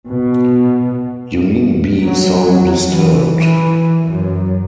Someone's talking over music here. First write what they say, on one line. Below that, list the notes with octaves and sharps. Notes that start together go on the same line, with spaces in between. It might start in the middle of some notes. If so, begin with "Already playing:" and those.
You needn’t be so disturbed.
B2
F#3
F#3
E3
E3
F#2